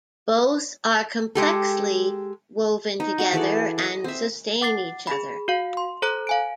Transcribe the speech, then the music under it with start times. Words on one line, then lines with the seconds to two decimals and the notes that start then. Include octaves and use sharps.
Both are complexly woven together and sustain each other.
1.35 G#3 G4 A4
3.00 D#4
3.18 F#4 A#5
3.33 E3 G#4 A4 D5
3.78 D#5
4.04 C4 E5
4.61 F#5 D6 A6 C7
5.07 G#4 B5
5.48 F#4 F5
5.77 C6
6.02 A4 C5 A#5 F#6
6.27 F5 G#5 D7